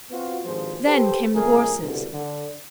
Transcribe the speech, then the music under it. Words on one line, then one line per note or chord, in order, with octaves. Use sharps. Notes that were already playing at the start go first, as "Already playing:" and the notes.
Then came the horses.
B3 C4 F4 F#4
G#1 G2 F3 G#4 C5
G4 A4 B4 C5
F2 A#2 C#3 A3 G#4 A#4
C2 G2 B2 D3
D3